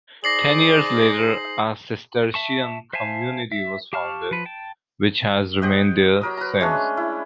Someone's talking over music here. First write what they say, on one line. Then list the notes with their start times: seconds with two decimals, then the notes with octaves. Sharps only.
Ten years later, a Cistercian community was founded, which has remained there since.
0.24 D#4 G#4 C5 D5 A#6 C7 F#7
2.34 E5 A5 C#6
2.93 C5 E5 F5 G#5 A5
3.52 E5
3.93 G4 F5 A5 C#6 F6
4.31 F3 B4
4.46 G5 A5
5.62 G4 C5 D#5 F#5
6.21 F#3 A#4 D#6
6.38 B4 A#5
6.61 G#3 A3 C#4 D4
6.97 E4